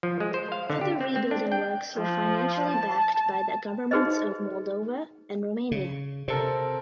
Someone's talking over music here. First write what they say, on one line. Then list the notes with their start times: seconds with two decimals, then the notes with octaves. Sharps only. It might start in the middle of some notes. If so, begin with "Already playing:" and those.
Other rebuilding works were financially backed by the Governments of Moldova and Romania.
0.03 F3
0.20 G#3
0.34 C5
0.52 F5
0.70 D3
0.81 G4
1.01 C4
1.16 C4
1.31 D4
1.52 G5
1.97 F3
2.71 A5
3.91 D#4 F#4 G#4 B4 C5 D#5
5.71 C#3
6.28 C3 C4 A4 A#4